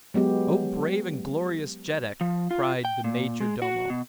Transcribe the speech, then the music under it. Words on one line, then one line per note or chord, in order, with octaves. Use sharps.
"O brave and glorious jeddak!" cried the major-domo.
F#3 G#3 B3 G4
F3
F4
G5
A#2
G#3
F#4
B2